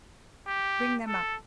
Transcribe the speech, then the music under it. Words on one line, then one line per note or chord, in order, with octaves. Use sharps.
Bring them up.
G4
A4